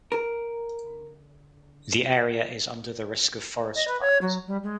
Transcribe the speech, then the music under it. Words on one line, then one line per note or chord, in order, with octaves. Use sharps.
The area is under the risk of forest fires.
A#4
D#5
B4
C#5
F#3
G3
G#3